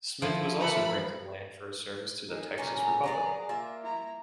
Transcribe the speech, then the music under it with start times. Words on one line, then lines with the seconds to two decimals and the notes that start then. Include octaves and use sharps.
Smith was also granted land for his service to the Texas Republic.
0.22 F3 E4
0.61 E3 A4 A#5 B5
2.28 D#4 G#4
2.58 A#2 C#3 C#4 A#5
3.04 F#3 G#4 D5
3.49 A#3 F4 E5
3.82 E4 A#5